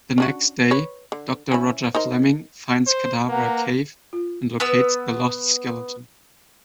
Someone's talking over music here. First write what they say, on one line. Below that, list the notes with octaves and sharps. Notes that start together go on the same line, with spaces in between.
The next day, Doctor Roger Fleming finds Cadavra Cave and locates the Lost Skeleton.
C#4 D4 F#4
B4 C#5
D3
C#4 E4
D#4 A#4 C5
C5
A#3 B4 F#5 A#5
F4
B3 B4 E6